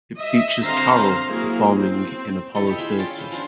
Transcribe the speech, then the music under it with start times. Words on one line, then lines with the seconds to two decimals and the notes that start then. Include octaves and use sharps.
It features Carroll performing in Apollo Theatre.
0.17 D#5 E5
0.64 D3 C4 C5 F5 A#5 C6
1.26 F#3 A#3 E4 F#4 G#4
1.76 C4
2.55 E4 A4 D#5
2.67 G4 D#5 E5
2.78 F4 G#4 E5 G5
2.98 C#4 F4 D5
3.18 B4 C5
3.32 F3 C#4 D4 F4